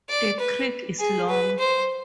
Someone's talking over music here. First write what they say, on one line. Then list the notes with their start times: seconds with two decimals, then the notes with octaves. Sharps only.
The creek is long.
0.09 D5
0.40 B4
1.00 G#4
1.29 B4
1.59 C5